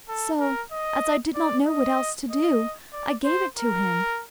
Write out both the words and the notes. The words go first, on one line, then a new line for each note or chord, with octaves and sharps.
So, as I did not know what else to do, I gave it to him.'
A4
A#4
D#5
D5
D#5
D#5
D5
C5
A#4